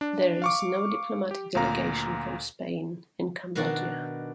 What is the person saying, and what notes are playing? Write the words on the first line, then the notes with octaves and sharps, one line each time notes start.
There is no diplomatic delegation from Spain in Cambodia.
D4
F5 C#6 D6
G4
D2 A#2 F5 A#5
B2 D#3 D4 F#4 D5 A5